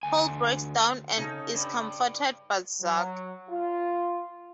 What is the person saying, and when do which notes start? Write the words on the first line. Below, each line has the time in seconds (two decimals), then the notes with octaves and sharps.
Paul breaks down and is comforted by Zach.
0.03 D2 G#5
1.17 C#3 C#4 D#4 A4
1.54 G2
2.80 F#3
3.49 F4